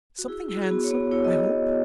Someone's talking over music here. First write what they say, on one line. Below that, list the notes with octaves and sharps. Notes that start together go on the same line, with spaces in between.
"Something handsome, I hope?"
F#4
E4 G#4
E4
F#4
G#4
B3 F#4
C#5
B3
E4 C#5
D#5